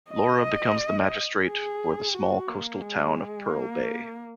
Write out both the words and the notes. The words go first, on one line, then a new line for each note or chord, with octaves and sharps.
Laura becomes the magistrate for the small coastal town of Pearl Bay.
D#5
G#4
F#4
A#3
G#3
A#3